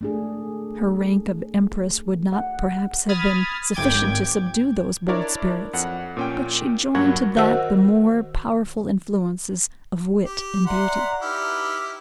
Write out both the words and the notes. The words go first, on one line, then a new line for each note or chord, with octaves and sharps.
Her rank of empress would not, perhaps, have been sufficient to subdue those bold spirits; but she joined to that the more powerful influences of wit and beauty.
A3 D4 G#4
F#5
B5 D#6 F6 G#6 A6
G#1 G5 D6 G#6
D4 E4 A#4 C#5 D5
F2 F#5
A#2 C#4 G5
G2 F#3 A#3 F#5 C#6 G#6
D#3 F#4 A#4 C5 F#5 E6
G4
D5 E5 F#5 A#5 C6
D#4 E4 G4 B4 F6